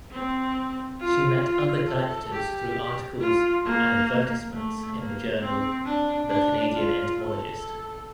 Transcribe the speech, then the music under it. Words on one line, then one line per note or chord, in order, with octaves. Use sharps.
She met other collectors through articles and advertisements in the journal "The Canadian Entomologist".
C4
F4
F4
A4
G4
F4
A#3
A3
A#3
C4
D4
D4
F4
A4